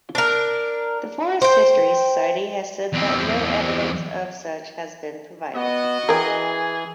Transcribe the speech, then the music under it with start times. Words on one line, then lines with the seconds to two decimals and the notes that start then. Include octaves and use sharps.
The Forest History Society has said that no evidence of such has been provided.
0.15 D4 A#4
1.42 C5 G5
2.93 E2 C4
5.55 B3 F#4 D#5
6.09 E3 G#4 A#4 G5